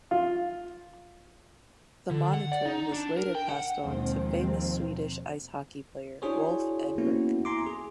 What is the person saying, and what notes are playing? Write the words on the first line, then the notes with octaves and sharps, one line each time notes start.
The moniker was later passed on to famous Swedish ice hockey player Rolf Edberg.
F4
D3
F#5
D5
D#4
D4
A#4
G5
F#5
D#2 B2 D#3 F3 G#3 C4
D4 E4 F#4 G#4 C5 C#5
A#3 B3 C#4 E4 F#4
E4 G#5 A#5 C6 D6
G#4